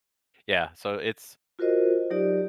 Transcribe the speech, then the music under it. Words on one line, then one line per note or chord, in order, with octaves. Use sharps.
Yeah, so it's
F4 F#4 A#4 C5 D#5
F#3 D#4 G4 D5